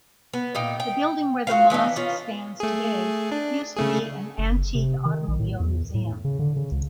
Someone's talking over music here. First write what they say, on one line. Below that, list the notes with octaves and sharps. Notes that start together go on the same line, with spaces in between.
The building where the mosque stands today used to be an antique automobile museum.
B3
A#2 D#4 G5
G5
F4 F#4 B4 F5
E3 B3 D4 D#4
B3 C#4 F4
A3 G#4
D4
C#3 A3 G#4
F#1
C3
D#3
A#1
A2
E2
A2
C#3
D3
C#3
C#2